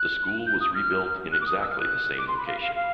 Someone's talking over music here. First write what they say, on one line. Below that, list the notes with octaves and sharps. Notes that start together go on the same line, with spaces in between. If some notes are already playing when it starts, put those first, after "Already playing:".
The school was rebuilt in exactly the same location.
Already playing: F#6
G6
D#6
F6
F#6
D6
D#6
E6
F6
F#6
D6
C6
B5
F5
F5
F5